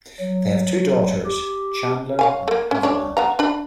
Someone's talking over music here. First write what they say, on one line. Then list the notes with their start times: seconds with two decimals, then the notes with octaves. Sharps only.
They have two daughters, Chandler and Haviland.
0.20 F#3
1.25 G4
2.19 C#5 F5 G#5
2.48 A3 A#3
2.71 C#4
2.83 D4 C#5
3.17 B3 F5 A#5
3.39 D4 B5